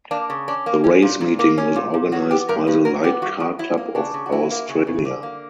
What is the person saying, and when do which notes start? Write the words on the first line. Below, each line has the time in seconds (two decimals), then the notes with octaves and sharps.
The race meeting was organised by the Light Car Club of Australia.
0.11 A#3 D4
0.30 C#3
0.48 C#4 D4
0.66 A#3
0.84 C#4
1.02 A#2
1.21 A#2
1.39 A#3
1.58 C#4
1.76 A#2
1.94 A#2
2.12 F#3 F#4
2.31 B3 G4
2.49 G2 A#4
2.67 G2 B4
2.85 F#3 A#4
3.04 B3 G4
3.22 G2 F#4
3.40 G2 F#4
3.59 F#3 E4
3.78 A#3
3.95 C#3 D4
4.14 C#3
4.26 F#4
4.32 F#3 E4
4.51 A#3
4.69 C#3
4.87 C#3
5.05 D3
5.23 A#3